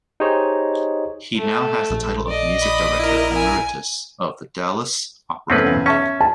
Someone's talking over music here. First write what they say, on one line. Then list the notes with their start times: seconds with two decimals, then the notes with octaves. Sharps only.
He now has the title of Music Director Emeritus of the Dallas Opera.
0.20 D#4 G4 G#4 C5 C#5 D#5
1.37 A3
1.90 A#1
2.28 D5 D#5
2.62 B5 D#6
2.99 E4 A#4
3.34 G#5
5.50 E2 A3 C4 C#4 B4
5.63 E2 C#3
5.86 C#4 E5 A5 C#6
6.20 A5